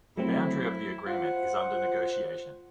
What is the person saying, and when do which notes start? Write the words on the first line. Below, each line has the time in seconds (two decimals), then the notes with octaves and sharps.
The boundary of the agreement is under negotiation.
0.18 F#3 A3 C4 E4
1.06 F4 C5 F#5